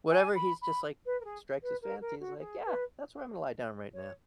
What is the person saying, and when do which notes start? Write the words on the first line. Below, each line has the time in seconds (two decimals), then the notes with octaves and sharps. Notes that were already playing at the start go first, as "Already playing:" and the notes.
whatever he's just, like, strikes his fancy, he's, like, "Yeah, that's where I'm gonna lie down right now."
0.10 G#5
0.35 B5
0.61 B5
1.05 B4
1.20 A#4
1.24 G#4
1.62 B4
1.82 A#4
2.01 A#4
2.20 F#4
2.39 G#4
2.65 B4
3.93 C#5